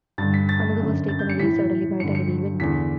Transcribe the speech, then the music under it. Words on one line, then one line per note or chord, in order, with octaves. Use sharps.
Another was taken away suddenly by a terrible wind.
G2 D3 A6
B6
A6
F#2 D3
A6
G6
C#7
A2 E3 B6
G2 D3 C#7
C#7
E2 D3 B6